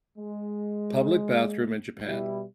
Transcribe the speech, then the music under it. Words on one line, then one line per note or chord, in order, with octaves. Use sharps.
public bathroom in Japan.
G#3
B2 G3 E4